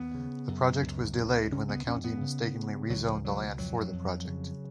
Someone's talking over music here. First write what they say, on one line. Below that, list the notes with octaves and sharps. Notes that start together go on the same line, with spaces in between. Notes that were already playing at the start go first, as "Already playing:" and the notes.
The project was delayed when the county mistakenly rezoned the land for the project.
Already playing: D#2 B3
C#3
F#2
C#2
C#2
C#3 C#4
B3
F2 C#4
B3
C#3
C#3
C#2 F#3
F3
B2 F#3
F2 F#3
F2
C#3